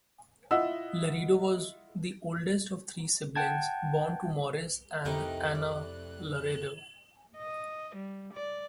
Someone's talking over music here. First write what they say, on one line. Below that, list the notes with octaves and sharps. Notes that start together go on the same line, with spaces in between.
Laredo was the oldest of three siblings born to Morris and Anna Laredo.
E4 F4 D#5 E5 F#5 E6
F#5 G5 A5 G#6
F2 C3 A3 D#4 E4 G4 A#4 F#6
D5
D#5
G3
D5